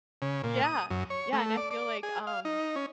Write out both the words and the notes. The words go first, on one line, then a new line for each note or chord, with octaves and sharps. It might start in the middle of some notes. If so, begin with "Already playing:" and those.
Yeah, yeah, and I feel like, um,
C#3
A#2
D#6
F#2
C#5
A3
D5
D5
G#4
F5
D#4
C#4